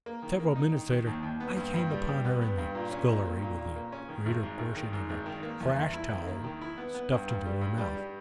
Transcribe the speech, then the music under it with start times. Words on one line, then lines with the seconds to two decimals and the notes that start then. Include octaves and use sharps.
Several minutes later I came upon her in the scullery with the greater portion of a crash towel stuffed into her mouth.
0.06 A#3
0.23 D#3
0.40 A#3
0.56 D#4
0.73 D#3
0.90 D#3
1.07 D#2
1.23 D#2
1.40 B3
1.56 G2
1.74 G2
1.90 G3
2.07 G3
2.25 B3
2.42 B3
2.58 G2
2.75 A#2
2.91 C#4
3.08 A#2
3.25 A#3
3.42 A#2
3.59 A#2
3.76 A#3
3.92 C#4
4.09 D#3
4.26 G#1
4.43 G#2
4.59 G#1
4.76 D#3
4.93 G#2
5.10 G#1
5.26 D#3
5.43 A#3
5.60 E2
5.76 E2
5.94 E4
6.11 D#3
6.27 A#3
6.44 D#3
6.61 E4
6.78 B3
6.95 B3
7.12 G2
7.28 G2
7.45 G3
7.61 G2
7.78 G3
7.95 G3